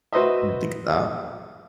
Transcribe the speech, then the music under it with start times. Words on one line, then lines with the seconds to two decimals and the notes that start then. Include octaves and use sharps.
didn't think of that.
0.13 F#4 B4 C5 D#5 E5